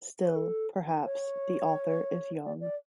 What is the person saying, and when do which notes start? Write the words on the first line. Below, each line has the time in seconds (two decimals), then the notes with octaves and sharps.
Still, perhaps, the author is young.
0.21 C#5
0.28 B4
0.35 A4
1.05 C#5
2.45 D5
2.61 D5